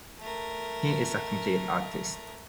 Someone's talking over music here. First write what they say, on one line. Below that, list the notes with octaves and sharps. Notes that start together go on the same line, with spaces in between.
He is a complete artist.
A3 A#4